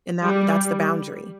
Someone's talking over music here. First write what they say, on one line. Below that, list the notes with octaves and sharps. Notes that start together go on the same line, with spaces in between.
and that that's the boundary.
G3